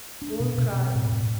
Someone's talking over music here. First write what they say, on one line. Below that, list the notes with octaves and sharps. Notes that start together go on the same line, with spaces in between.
Don't cry.
D4
B2
B2
C4
A2
A2